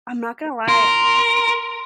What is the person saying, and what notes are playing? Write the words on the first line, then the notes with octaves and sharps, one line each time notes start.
I'm not gonna lie.
A#4 C6